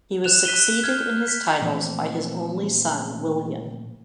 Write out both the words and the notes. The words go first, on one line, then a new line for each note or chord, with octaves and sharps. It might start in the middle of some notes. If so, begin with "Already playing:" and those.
He was succeeded in his titles by his only son William.
F#6 E7 F7
F#6 B6 D#7 G7
F6 G6 G#6
B6
A#2 E3 F3 G3 A3 C4